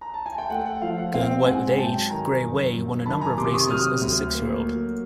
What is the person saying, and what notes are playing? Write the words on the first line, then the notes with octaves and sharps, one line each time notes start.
Going white with age, Grey Way won a number of races as a six-year-old.
A#5
A5
G#5
G5
A3 F#5
F#5
F3 F5
F#5
C4 F5 G5
G#2 F#5 G#5
F#3 G5 A5
D#3 G#5 A#5
F#2
F#2
D#3 A5 B5
G#5 A#5
C3 C6 D6
C#6 D#6
F#3 D#6 F6
D2
A#3
F#3